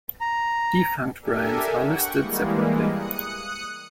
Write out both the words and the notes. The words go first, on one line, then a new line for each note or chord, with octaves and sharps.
Defunct brands are listed separately.
A#5
D4 G4 A4 A#4 E5 G#5
F#5 G5 C#6
E3 G3 G#3 A#3
D#6 F#6 C#7